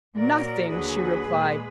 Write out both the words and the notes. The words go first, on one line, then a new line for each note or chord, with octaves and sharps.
"Nothing!" she replied.
A#2 F#3 A#4 D5
D#2 D3 F#3 G#4 B4
A#2 G#3